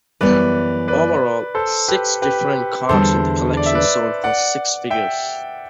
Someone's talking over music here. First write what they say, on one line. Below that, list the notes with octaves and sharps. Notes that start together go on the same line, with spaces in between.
Overall, six different cards in the collection sold for six figures.
F#2 E3 G3 B3 B4 D5
B4 D5
A4 C5
G4 B4
G4 B4
E2 D3 G3 A4 C5
D5
E5
B4 D5
D5 F#5
E5 G5